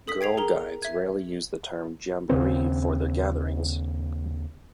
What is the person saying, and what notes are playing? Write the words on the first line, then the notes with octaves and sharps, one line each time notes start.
Girl Guides rarely use the term jamboree for their gatherings.
A4 D#6 B6
G5 G#6 C7 F7
G#4 A#4 A#5
E5 G#6
D#2 C#3 C4